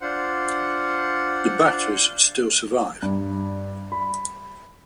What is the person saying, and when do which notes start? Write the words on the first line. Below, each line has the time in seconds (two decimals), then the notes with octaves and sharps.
The batteries still survive.
0.01 D4 F4 C5 F#5
3.02 G2
3.92 B5